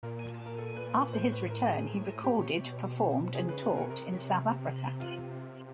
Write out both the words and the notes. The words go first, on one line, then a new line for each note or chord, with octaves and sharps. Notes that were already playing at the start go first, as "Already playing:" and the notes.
After his return, he recorded, performed, and taught in South Africa.
A#2 A#4
A#4
A4
B4
B4
A2 C5
B4
A#4
G#4
G4
A#2
C3
B2
C3 G#4
C#3 B4
C3 B4
B2 A#4
C3 A#4
F4